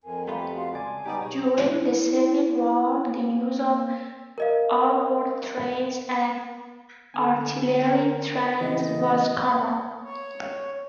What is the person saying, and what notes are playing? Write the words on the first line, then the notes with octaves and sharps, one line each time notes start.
During the civil war, the use of armored trains and artillery trains was common.
F2 A#4 G#5
A3 B3 F4 G4 A#5 B5
F#4 F5 C6
C#2 D5 G#5 A5
G3 B3 D#4 G4 D5
B1 G#4 C#5
E4
A#3
A#4 D#5 F5
D3 B3 A4 G#5
A#4
A1 C#3 E3 D#5
C#5